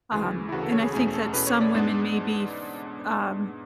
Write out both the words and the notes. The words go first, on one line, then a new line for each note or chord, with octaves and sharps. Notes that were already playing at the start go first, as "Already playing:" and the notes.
Um, and I think that some women maybe f um,
D2 C#3 E3 G#4
E4
D2 C#3 E3 F#4
A4
C#5
G#4
E2 B2 A3 C#4 G#4
A4
E2 B2 A3 C#4 B4
C#5
D5
G#2 G#3 B3 D4